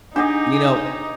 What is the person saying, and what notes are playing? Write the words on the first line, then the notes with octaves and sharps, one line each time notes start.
you know,
D4 D#4 G4 G#4 D#5 F#5 D#6